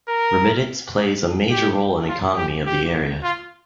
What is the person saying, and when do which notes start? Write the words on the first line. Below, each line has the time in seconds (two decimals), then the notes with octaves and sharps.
Remittance plays a major role in economy of the area.
0.08 A#4
1.52 G4
2.09 F4
2.37 G4
2.66 G4
3.23 F4